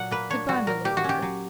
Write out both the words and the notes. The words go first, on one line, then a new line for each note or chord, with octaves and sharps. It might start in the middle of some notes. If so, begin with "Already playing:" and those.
Good-bye, my little daughter.
Already playing: A#2 F#3 F#5
A#3 B4
D4 C#5
G3 F#4
A#2 A#4
A#3 G4
F#4
C#4 G4
F#3